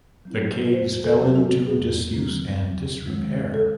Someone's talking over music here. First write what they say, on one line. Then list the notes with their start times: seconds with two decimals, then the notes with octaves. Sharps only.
The caves fell into disuse and disrepair.
0.25 F#3 C4 E4
0.73 E2 C5
1.04 A4
1.20 C3 F#3 C4
1.36 F#4
1.67 E2 G#4
2.13 C3 F#3 C4
2.60 D#2
3.07 D#3 G#3
3.54 A4